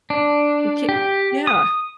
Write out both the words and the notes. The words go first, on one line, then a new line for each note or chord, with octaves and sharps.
We c yeah.
D4
G4
D#6